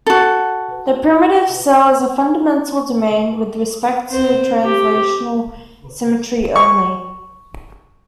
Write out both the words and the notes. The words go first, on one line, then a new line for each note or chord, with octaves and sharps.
The primitive cell is a fundamental domain with respect to translational symmetry only.
F#4 A4
C4 C5
G4
C#6